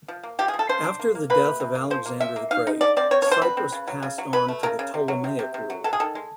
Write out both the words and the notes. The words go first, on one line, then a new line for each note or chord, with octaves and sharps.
After the death of Alexander the Great, Cyprus passed on to the Ptolemaic rule.
F3
A#3
F3 G4
G#4
F3
A4
C#3 C5
D4
A#3
A#3
A#3 B4
C3
C3
A#3
F3 C5
A#3
F3 E5
A#3
D#4 F5
D#4
D3 D5
C4 D5
C4 C#5
C#5
D3 C5
C4 B4
C4
C#3
F#3
C#3
F#3
F#3 B4
A3
C#3 A#4
C#3
C3
F#3
C3
C3
C3
F#3
F#3 A4
G#4
D#3 A4
G#3